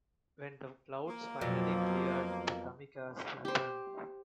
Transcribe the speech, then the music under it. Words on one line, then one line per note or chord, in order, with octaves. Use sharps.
When the clouds finally cleared, the kamikaze returned.
A#3
F2 B2 F3 F#3
G4 C5